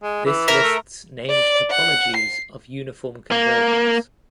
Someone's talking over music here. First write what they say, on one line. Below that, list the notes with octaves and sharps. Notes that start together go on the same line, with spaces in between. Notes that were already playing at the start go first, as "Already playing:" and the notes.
This lists named topologies of uniform convergence.
G#3
E3
A#4 E5
A3
D5
F#5
C7
A#3